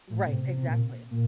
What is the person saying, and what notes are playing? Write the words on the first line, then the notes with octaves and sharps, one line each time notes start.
Right, exactly.
A2
C3
C3
C3
A#2
A#2